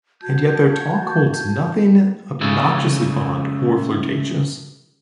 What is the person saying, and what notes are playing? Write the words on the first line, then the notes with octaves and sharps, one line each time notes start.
And yet their talk holds nothing obnoxiously fond or flirtatious.
F#4 A5 G6 G#6
C#2 C#3 F#3 A3 G#4 A4